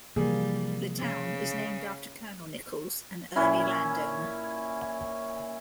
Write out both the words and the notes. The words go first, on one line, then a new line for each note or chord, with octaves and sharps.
The town is named after Colonel Nichols, an early landowner.
C3 E3 F3 G3 A#3 G#4
C#3
A#2 C#4 E4